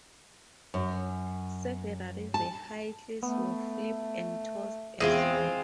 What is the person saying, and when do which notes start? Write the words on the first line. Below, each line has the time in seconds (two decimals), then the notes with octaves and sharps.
Several vehicles were flipped and tossed as well.
0.74 F#2
2.34 A5
3.23 A3 B3
5.00 E2 G#3 C4 F4 E5